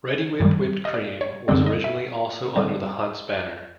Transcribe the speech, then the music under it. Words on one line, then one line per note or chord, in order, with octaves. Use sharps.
Reddi-wip whipped cream was originally also under the Hunt's banner.
G2 D#3 G3
D#5
D5
C#5
F#2 D3 G3 C4 D5
D#5
E5
D3 G3 C4